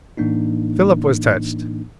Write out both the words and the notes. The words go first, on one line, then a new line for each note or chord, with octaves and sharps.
Philip was touched.
A2 E3 A#3 D4 D#4